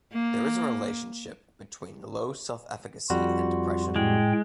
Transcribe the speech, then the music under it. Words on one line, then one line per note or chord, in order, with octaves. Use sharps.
There is a relationship between low self-efficacy and depression.
A#3
F2 G3 F4 F#4
A2 G#3 G5